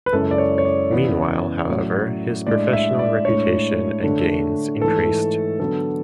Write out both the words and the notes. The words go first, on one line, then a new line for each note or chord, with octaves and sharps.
Meanwhile, however, his professional reputation and gains increased.
B4
F#2 C#3 G#3 C#4 E4 A4
D5
C#5
C#5
D5
C#3 E3 B3
A2 F#3 C#4
A2 G#3 D4 D5
E5
D5
A2 G#3 D4 C#5
D3 A3 D4
G#2 E3 A3 A4
D3 F#3 B3 A4